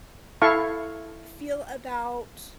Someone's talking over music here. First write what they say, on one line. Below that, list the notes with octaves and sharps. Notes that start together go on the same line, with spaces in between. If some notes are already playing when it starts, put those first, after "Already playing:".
feel about
E4 A4 F5 A5 C#6